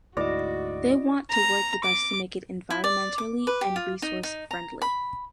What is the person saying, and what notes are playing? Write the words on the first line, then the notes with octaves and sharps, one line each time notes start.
They want to work with us to make it environmentally and resource friendly.
D2 G#2 E4 F#4 D5 D#5
A#5
D6
E4
D5
D6
B4
G4
F4
D#4
D#4
A#5
B5